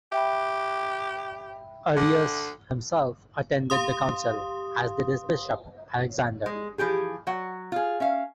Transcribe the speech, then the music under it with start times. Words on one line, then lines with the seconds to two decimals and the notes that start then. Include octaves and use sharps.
Arius himself attended the council, as did his bishop, Alexander.
0.12 G4 E5 G5 B5
1.97 D3
3.70 G4 F5 C6 D#6
6.46 G#3
6.78 E3 F3 G4 G#4
7.27 F#3 F#5
7.72 F4 G#4
8.00 C#4 E5 F5